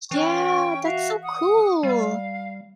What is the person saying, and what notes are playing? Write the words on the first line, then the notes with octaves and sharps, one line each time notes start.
Yeah, that's so cool.
E3 C#4 G5 C#6
F#4 E5 F5
F#5 D#6
G3 F5